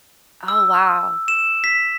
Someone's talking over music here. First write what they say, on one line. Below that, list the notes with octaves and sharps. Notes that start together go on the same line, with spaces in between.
Oh, wow.
E6
E7
B6